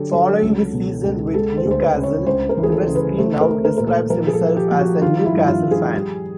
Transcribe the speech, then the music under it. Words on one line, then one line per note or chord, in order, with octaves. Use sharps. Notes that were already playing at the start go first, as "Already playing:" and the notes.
Following his season with Newcastle, Sibierski now describes himself as a Newcastle fan.
Already playing: D3 F#3 G4 A4
F#3 A4
C#2
B2
C#2
G#3 A4
C5
D2
C5
B4
C#3
C#5
C#2 C5
A#4
E3
G#4
A4
C#3
B4
A3 C5
A#4
A3
A#4
A#2 A#4
A4
F3 A#4
G#4
A4
F3
G4
F3
F#4
D#3 F4
E4
G2
F4
G2
G#4
G3